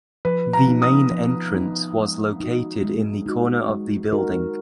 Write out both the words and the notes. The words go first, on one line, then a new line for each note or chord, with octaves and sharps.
The main entrance was located in the corner of the building.
F3 B4
A#5
B3 D#4
D#6
F3
B3 D#4
G#3
D#4 F#4
G#3
D#4 F#4
G#3
D#4 F#4 A#4